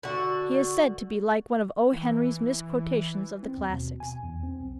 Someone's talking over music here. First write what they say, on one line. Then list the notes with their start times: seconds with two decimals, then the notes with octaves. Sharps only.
He is said to be like one of O. Henry's misquotations of the classics.
0.03 D3 F#4
1.92 E3
3.43 C4
3.57 D#2
3.73 B2
4.00 G#5
4.23 E2
4.43 C4
4.60 B1